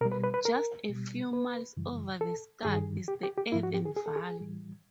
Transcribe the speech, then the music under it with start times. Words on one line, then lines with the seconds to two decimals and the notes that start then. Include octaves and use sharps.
Just a few miles over the scar is the Eden valley.
0.01 B2 A#4
0.05 G3
0.12 B4
0.23 B4
0.34 B4
0.45 A#4
0.89 B2 G3
1.33 B4
1.77 F#2 C#3 E3 G3
2.21 A4
2.65 G2 D#3 G3 G#4
3.08 G4
3.23 G4
3.38 G4
3.52 G#2 F3 E4
3.63 F#4
3.74 G4
3.85 G#4
3.96 G#4
4.06 A4
4.16 G#4
4.40 A2 E3 G3